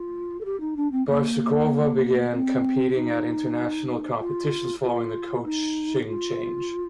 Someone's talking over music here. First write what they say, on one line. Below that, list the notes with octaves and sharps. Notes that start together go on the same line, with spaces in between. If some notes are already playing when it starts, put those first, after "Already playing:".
Barsukova began competing at international competitions following the coaching change.
Already playing: F4
A4
G4
D#4
D4
C4
A#3
C4
D#4
F4
F4
D#4
F4